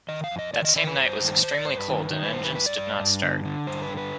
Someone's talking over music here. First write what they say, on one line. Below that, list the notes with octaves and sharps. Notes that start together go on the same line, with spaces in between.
That same night was extremely cold and engines did not start.
D#3 D#5
F5
F2
D#5
D#3 D5
D#5
D#3 D5
B4
G2 C5
D#3
D#3 C5
D5
G2 C5
B4
D#3
D#3
B4
G2 C5
B4
G2 B4
D5
G2
G2
D3
D3
G2 C5
B4
D3
B4